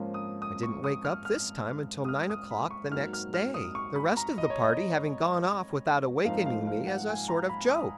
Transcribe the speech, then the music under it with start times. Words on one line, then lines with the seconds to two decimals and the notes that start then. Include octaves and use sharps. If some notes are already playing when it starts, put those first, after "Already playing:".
I didn't wake up this time until nine o'clock the next day, the rest of the party having gone off without awakening me as a sort of joke.
Already playing: G#2 F3 A#3 C#4
0.14 D#6
0.42 D#6
0.63 C#6
0.84 D#6
1.05 F6
1.25 F6
2.05 D#6
2.08 F6
2.30 D#6
2.51 B5
2.71 C#6
2.92 G#2 F#3 A#3 D#4 F6
3.13 F6
3.34 F6
3.54 D#6
3.75 C#6
3.96 B5
4.17 A#5
4.38 D#5
4.50 C#5
4.63 D#5
6.25 G#2 F3 A#3 D#4 F5
6.46 F5
6.67 F5
6.87 F#5
7.08 G#5
7.28 A#5
7.49 B5
7.70 D#6